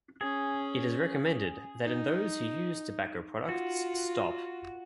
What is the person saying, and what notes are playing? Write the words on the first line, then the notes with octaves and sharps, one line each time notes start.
It is recommended that in those who use tobacco products stop.
C#4 G#4
D#4
F4 F#4